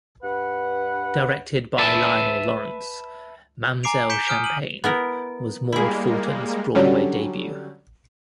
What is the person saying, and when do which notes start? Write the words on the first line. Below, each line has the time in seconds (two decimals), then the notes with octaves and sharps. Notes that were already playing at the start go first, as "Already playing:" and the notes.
Directed by Lionel Lawrence, "Mamzelle Champagne" was Maude Fulton's Broadway debut.
0.23 G2 B4 F#5
1.78 B4 E5 A5
3.83 G#5 A#5 D6 C7 D7 F7
4.10 G6 B6 C#7 D7 E7 G7
4.28 G#5 D#6 F6 G6 D7
4.44 D#7 F#7
4.84 B3 E4 A#4
5.72 G3 G#3 A#3 E4 G#4
6.75 D3 F#3 G3 C#4